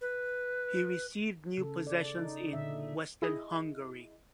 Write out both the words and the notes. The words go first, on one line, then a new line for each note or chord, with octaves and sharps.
He received new possessions in western Hungary.
B4
C#3 A4
D5
D#4
A#2 D3 E5
E4 G#4 D#5